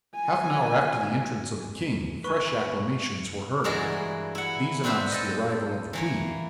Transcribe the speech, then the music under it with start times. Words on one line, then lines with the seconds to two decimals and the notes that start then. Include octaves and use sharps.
Half an hour after the entrance of the king, fresh acclamations were heard; these announced the arrival of the queen.
0.15 G#5
2.24 B4 G#5 C#6
3.64 G2 E3 G#3 A#3 F#4 D5
4.35 E4 F#5
4.84 C4 D4 B4 C5 E5
5.12 A4 D#5
5.93 E3 A#3 C#5